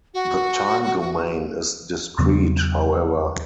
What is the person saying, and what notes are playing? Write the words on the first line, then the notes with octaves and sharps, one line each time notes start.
The time domain is discrete, however.
F#4
E2 C#3 F#3 B3